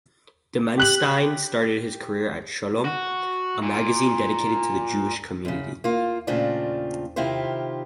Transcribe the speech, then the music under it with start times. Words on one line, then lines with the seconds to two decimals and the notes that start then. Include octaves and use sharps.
Dimenstein started his career at Shalom, a magazine dedicated to the Jewish community.
0.78 G4 F#6 F#7
2.85 F#4
3.63 A#2
5.45 F#2 C#3
5.84 A#3 F4
6.27 A#2 C#3 A3 C4 D4 F4
7.16 C3 D#3 E4 F4 G4 C5